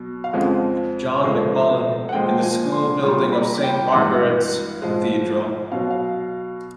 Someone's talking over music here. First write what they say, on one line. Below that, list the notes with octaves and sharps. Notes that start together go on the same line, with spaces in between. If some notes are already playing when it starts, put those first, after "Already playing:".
John McMullen, in the school building of Saint Margaret's Cathedral.
Already playing: B2 F#3
F5
F2 C#3 F3 G#3 F#5
A2 F3 G#3
F#5
A#2 F3 G#3 G5
G#5
C6
A#2 G3 C6
B5
A#5
B5
G5
G2 E3 G#3 F#5
G#2 F3 G#3
B2 F#3 F5
F5